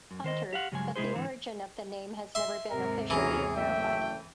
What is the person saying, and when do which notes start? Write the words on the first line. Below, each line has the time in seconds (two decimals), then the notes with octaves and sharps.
Hunter, but the origin of the name has never been officially verified.
0.11 F#2
0.24 D#3 C5 D#5
0.53 G4 F5 F#5
0.72 G2 C#3 F#3 G#3 G#5
0.96 C3 G#3 E4 G#4 C5
1.15 G#2 D3 E3 C4
2.35 E5 C6
2.69 D#2 G#2 C3 A#4
3.10 B1 E3 C#4 G#4 A#5
3.56 F#1 A3 E5 G5